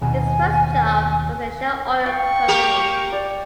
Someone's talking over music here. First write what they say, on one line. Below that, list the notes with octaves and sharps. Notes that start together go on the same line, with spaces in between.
His first job was at Shell Oil Company.
D#2 B2 G#5
F5 G5 C#6
A#3 G4 A#4
D5